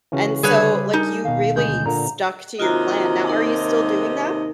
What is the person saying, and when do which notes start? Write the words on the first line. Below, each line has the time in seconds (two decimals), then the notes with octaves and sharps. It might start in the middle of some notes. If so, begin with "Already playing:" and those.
And so, like, you really stuck to your plan. Now, are you still doing that?
0.12 C#3 E3 C#4 F#4
0.43 D3 G3 G#4 B4 C#5
0.93 D#4 G#4 A#4 A5
1.24 D#2 B2 F5
1.56 D2 G#3 G#4 G6
1.86 A#2 D3 A#3 A#5
2.60 D#2 C3 F4 F#4 D#5 A#5
3.27 D#4 A#4